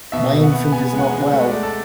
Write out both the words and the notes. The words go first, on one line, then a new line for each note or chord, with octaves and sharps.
My infant is not well.
B2 E5
B2
F#5
B3
B3 G#5
G#3 F#5
G#5
G#3
A3 F#5
D5
A3
A4